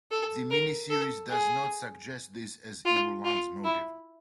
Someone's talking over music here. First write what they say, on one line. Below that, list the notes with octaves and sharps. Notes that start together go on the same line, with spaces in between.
The miniseries does not suggest this as Irulan's motive.
A4
A#4
A4
G#4
F4
F4
E4